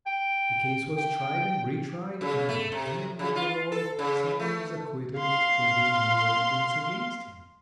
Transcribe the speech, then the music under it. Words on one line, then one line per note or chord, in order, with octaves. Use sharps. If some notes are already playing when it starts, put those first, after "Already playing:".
The case was tried, and re-tried, and at the end of it all Simon was acquitted, there being no evidence against him.
G5
G5
C#3
A3
C3
C#3
F4
A4
C#3
A3
F5 C6